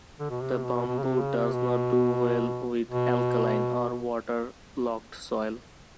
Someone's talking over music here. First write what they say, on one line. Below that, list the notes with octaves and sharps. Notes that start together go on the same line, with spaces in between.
The bamboo does not do well with alkaline or water-logged soil.
D3
B2
C3
B2
B2
C#3
C3
C#3
C3
B2
B2